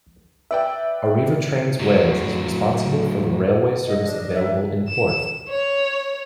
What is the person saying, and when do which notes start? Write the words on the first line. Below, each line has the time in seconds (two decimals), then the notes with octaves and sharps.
Arriva Trains Wales is responsible for the railway service available in Porth.
0.51 B4 D5 E5 G5
1.79 A2 F#3
3.87 G#2 D#5
4.05 D4
4.34 E5
4.89 E7
5.49 C#5